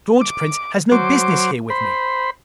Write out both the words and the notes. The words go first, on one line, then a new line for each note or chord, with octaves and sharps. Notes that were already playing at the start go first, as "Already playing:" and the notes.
George Prince has no business here with me!
D6
F#3 C5 D6
C5 B5